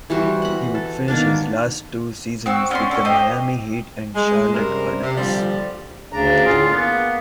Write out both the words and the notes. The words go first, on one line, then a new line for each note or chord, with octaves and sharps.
He would finish his last two seasons with the Miami Heat and Charlotte Hornets.
E3 G3 F#4 C5
F#5 B5
A4
D#3 A#3 B3 D4
C4 F#4 E6
C#4 D4 C6
C#4 A4
G4 C5 D#5
G#3
F#2 C3 G3 A#4 C5
C3
A#2 D3 F3 G3
D2 C#3 D4 A#5
A2 D3 F4 G#4
A#3 B3